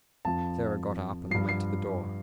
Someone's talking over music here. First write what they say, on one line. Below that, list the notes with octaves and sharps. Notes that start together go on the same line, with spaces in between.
Sarah got up and went to the door.
F2 F3 A5
G2 F3 C7
C7